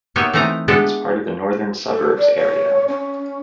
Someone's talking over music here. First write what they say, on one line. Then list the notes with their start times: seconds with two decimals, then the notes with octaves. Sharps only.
It is part of the Northern Suburbs area.
0.16 A#3 B3 D#4 G4 C#5 E5
0.34 E3 A3 C4 D#4 G#5 A#5
0.68 G#3 B3 D4 E4 G4 A4
1.91 A4
2.18 D5
2.36 C#5
2.88 C#4